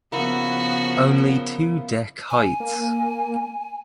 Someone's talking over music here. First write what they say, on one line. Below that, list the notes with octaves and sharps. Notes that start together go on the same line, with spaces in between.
Only two deck heights.
C#3 F3 A#3 B3 E4 F#4
G#5
A#3